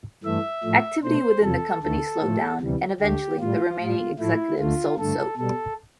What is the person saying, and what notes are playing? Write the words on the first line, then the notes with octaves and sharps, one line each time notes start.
Activity within the company slowed down, and eventually, the remaining executives sold Soap.
G2 E3 A3 E5
A2 F3 A3
B2 A3 C5
E2 C3 F3 A4
D2 D3 A3 A4
A2 F3 A3
D2 C3 E3 G3
D2 D3 A3 G4
A2 G3 F4
A2 G3
A2 F3 A3 E4
D2 D3 A3 F4
G2 D3 A3 A4
B2 G3 A4